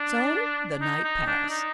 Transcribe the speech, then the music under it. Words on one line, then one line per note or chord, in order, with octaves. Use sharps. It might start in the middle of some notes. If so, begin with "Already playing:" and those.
So the night passed.
Already playing: D4
D#4
D#4
D4
D#4